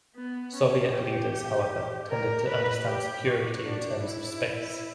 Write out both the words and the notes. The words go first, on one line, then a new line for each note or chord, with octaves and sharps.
Soviet leaders, however, tended to understand security in terms of space.
B3
C#4
G4
A#4
B4
G4
F#4
D4
E4